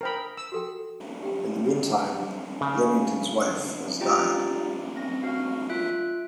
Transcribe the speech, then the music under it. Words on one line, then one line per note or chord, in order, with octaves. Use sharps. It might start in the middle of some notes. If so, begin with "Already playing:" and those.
In the meantime, Leamington's wife has died.
D4 A#4 C5 G5 B5 D#6
E6
F#4 A4 G5
G4 G5
G3
C#3
F4 G4 D5 G5 A#5
C4 A#6
C4 F#4 F5 F6
F4 E5 F#6 D7